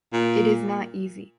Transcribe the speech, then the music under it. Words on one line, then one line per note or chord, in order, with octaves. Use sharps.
It is not easy.
A#2